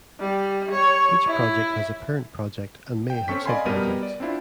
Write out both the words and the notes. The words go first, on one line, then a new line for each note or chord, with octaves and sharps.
Each project has a parent project and may have sub projects.
G3
C#5
E4
G5
C4 C#4 A4 C#6 B6
D5 D#5 F5 G#5 B5 C6
B2 G3 B3 A#4 D#7
D5
C4 D4 E4 F4